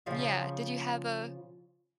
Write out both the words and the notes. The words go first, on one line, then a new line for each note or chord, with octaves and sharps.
yeah. Did you have a
C#3 F3 F4 C#5